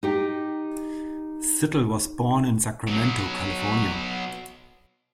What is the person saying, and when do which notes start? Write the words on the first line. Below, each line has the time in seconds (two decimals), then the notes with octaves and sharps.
Zettel was born in Sacramento, California.
0.03 D#4 G4 G5
2.87 B2 F#3